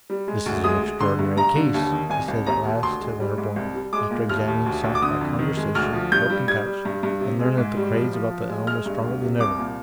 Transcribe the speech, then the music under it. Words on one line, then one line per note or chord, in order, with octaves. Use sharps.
"This is an extraordinary case," he said at last to Winterborne, after examining South by conversation, look, and touch, and learning that the craze about the elm was stronger than ever.
G3
G#3
D2
G#3 D#6
G#3
D3 C6
G2
G2 A#5
D3
D#2
D#3
C2 G#5
C2
D#2 A#5
D#2
D2 C6
G#3
G3
G#2
C2
G3
G#3 D6
A#2
D#2 F6
D#2
D2
D2
D6
D3 D#6
F2
D#3
G#3
D2 F6
F3
G2 G6
G3
G3 G#6
G3
G2
G2
C3
G#3
G#2
G3
F3
F3
F3
G#3
G#3 F6
G2
D2
C3
C2 D6
A#2